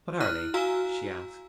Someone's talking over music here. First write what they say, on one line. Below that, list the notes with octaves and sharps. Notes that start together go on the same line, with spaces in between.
"What are they?" she asked.
E4 F6 F#6 D#7
F#4 F5 G#5 A#5 E6